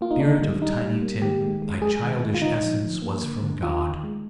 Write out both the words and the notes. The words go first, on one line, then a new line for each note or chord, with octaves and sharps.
Spirit of Tiny Tim, thy childish essence was from God!
A#3 F4
D#4
D#3 D4
D#4
G3
G3 D#4
G3
A#3
D#3 G4
G#3
G#3
G#3 G#4
D#3
G#3
F4
D3 D#4
F3
F3
A#3
D3
D3
D#3 F4
D#3
G#3